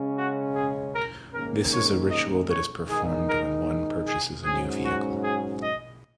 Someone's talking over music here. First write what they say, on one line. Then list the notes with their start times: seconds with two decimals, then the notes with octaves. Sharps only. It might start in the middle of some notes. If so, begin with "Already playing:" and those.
This is a ritual that is performed when one purchases a new vehicle.
Already playing: C#3 G#3 C#4
0.15 F#4
0.55 G#4
0.93 A#4
1.32 G#2 D#3 A#3 C#4 A#4
1.71 C#5
2.10 D#5
2.50 C#5
2.88 D#3 G#3 D#4 G#4
3.28 A#4
4.06 G#4
4.45 G#2 F#3 C#4 G#4
4.84 F#4
5.22 G#4
5.61 D#5